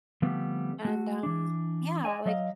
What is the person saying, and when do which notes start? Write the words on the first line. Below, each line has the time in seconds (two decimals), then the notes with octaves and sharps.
and, um, yeah, like,
0.22 D3 F3 G3 A3 B3 C4
0.85 A3 F#4
1.23 E3 D4
2.05 D5 D#5 G#5
2.26 F#3 D#5 F5